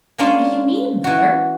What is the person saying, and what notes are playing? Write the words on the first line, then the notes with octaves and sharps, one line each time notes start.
"What do you mean, Mother!"
G#3 A#3 C#4 D4 F4
E3 F#4